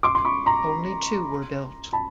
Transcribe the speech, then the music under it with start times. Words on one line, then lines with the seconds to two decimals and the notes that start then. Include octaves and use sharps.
Only two were built.
0.03 C6 D6
0.15 C6
0.25 B5 C#6
0.46 A#5 C6
1.93 A5 B5